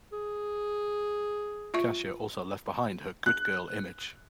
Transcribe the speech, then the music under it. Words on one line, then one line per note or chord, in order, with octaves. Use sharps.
Kasia also left behind her "good girl" image.
G#4
F4 E5 C#6
F#6